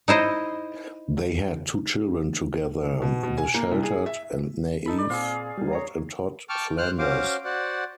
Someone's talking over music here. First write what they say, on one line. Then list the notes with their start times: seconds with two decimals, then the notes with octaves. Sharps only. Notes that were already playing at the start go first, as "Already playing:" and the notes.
They had two children together; the sheltered and naive Rod and Todd Flanders.
0.08 D#4 E4 C5 D#5
3.02 B2
3.23 B2
3.37 G#5
3.54 A#3
3.71 C2
3.83 G#4
4.06 E5
4.86 D#4 A4 B5
4.98 D5
5.10 A#2 C4 G#4 F5 C6
5.58 G3
5.73 C#5 A#5
6.49 G5 A5 C#6 D6 F6
6.78 C5 F6 F#6
6.98 C#4 F#4 C5 F5 D6
7.45 F#4 C5 D5 F#5